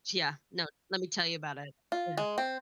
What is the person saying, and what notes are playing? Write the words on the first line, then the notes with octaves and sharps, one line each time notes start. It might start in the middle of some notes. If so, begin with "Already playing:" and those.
yeah, no, let me tell you about it, yeah.
F4
G#3
C4